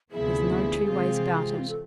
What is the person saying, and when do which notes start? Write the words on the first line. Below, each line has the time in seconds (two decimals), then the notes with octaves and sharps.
There's no two ways about it.'
0.11 D2 C3 F3 B3 E4 G#4
0.85 C3 E3 G#3 C4 F4
1.58 C4
1.68 A4